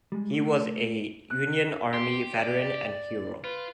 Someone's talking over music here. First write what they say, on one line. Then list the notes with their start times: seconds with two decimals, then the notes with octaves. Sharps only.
He was a Union army veteran and hero.
0.12 G3 G#3
0.33 A3
1.30 F#6
1.93 G4 C6
2.33 D5
3.44 F4 B4